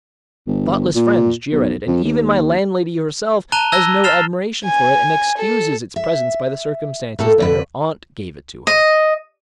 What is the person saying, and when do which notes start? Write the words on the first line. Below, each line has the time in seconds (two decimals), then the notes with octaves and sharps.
Thoughtless friends jeer at it, and even my landlady herself has no admiration for it, and excuses its presence by the circumstance that her aunt gave it to her.
0.47 G1
0.95 A#2
1.52 B1
1.87 F2
2.04 D#2
3.52 A5 A#5 F#6 D#7 F7 G7
3.72 A5 E6 F#6 G#6 A#6 G7
4.04 F6 A6 C7 E7 F7 G7
4.65 G#5
5.38 A4
5.96 E5
7.19 A2 A#3 A4
7.38 F2 D3 B4
8.67 D#5